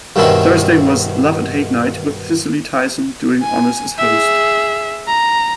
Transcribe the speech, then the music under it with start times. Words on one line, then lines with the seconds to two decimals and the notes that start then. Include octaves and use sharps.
Thursday was "Love and Hate Night" with Cicely Tyson doing honors as host.
0.16 G2 B2 D#3 C4 C#4 E4
3.43 G#5
3.99 G#4 E5
5.08 A#5